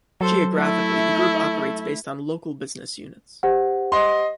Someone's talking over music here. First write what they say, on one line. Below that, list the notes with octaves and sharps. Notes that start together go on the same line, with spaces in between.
Geographically, the group operates based on local business units.
F#3 A4 C5
A3 E4
G4 C5 F#5
D#5 C6